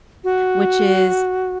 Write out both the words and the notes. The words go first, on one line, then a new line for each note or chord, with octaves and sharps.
which is
F#4